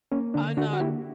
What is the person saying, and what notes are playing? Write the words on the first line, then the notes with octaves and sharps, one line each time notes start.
I'm not
A#3 C#4
D3 D4
D3 D4 F#4
F#4
A#3 E4 G4